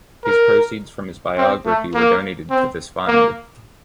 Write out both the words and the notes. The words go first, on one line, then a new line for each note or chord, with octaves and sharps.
His proceeds from his biography were donated to this fund.
A#4
C4
A3
A#3
C4
A#3